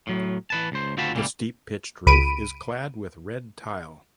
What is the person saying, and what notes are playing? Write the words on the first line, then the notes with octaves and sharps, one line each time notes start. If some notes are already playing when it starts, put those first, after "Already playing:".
The steep pitched roof is clad with red tile.
A2 F#3
E3 B4 A5
C#2 C5
D2 C4 F4 F#4 A5 B5
C#2 A#2 E3 G3
C#2 B5 D7 D#7